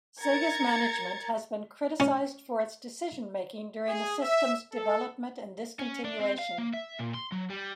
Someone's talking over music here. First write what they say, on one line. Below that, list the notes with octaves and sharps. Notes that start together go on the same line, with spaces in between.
Sega's management has been criticized for its decision-making during the system's development and discontinuation.
A#4 A#5 G#6 A6 C#7
C#4
G#4
E5
A4
C#4
D4
C4
F5
A#3
E5
A#2
C6
F#3
G3